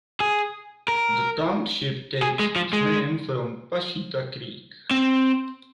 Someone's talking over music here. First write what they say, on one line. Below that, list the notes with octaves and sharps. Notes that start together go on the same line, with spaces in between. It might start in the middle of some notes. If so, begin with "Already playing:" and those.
The township takes its name from Pusheta Creek.
G#4
A#4
G#4
G#3
F3
G#3
C4